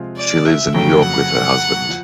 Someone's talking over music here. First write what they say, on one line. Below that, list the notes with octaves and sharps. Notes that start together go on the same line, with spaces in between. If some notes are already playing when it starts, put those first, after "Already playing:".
She lives in New York with her husband.
Already playing: C3 F3 G#3 C4 F4
D5
E5
F2 C#3 F#3 A3 G5
F#5
F3